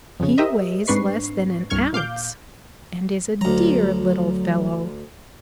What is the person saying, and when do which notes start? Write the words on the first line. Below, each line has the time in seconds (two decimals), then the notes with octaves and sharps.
He weighs less than an ounce and is a dear little fellow.
0.20 F2 C#3
0.38 G4 A#4 C5 D#5 E5
0.87 G#2 C4 D4 B4 C#6 C7
1.70 C2 G2 C#6 F6 G#6
1.93 A#2 F5 D6 G6
3.41 D2 F#3 A#5